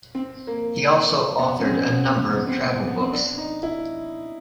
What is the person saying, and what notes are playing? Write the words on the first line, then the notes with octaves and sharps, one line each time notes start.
He also authored a number of travel books.
C4
A#3
B3
C#4
C4
B3
B3
B3
C4
B3
B3
C4
D4
D#4
E4